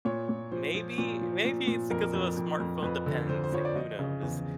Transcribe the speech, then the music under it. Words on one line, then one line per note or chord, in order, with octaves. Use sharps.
Maybe maybe it's because of the smartphone dependency, who knows?
A#2 C#5
A#2
F3 C5
F3
A#2
F3
A#2
A#2
F2 A#4
F2
F2
F2
F2 B4
D3
D3 C5
C5
F3 C#5
D5
F3 D#5
C#3
E2